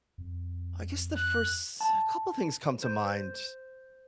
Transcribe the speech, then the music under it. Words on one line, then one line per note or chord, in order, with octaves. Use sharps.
I guess the first couple things come to mind,
F2
F#6
A5
C5